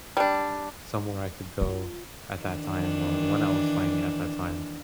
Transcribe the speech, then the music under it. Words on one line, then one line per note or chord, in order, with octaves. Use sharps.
somewhere I could go at that time, or when I was playing at that time.
G3 D4
F4
D#3 E3 D4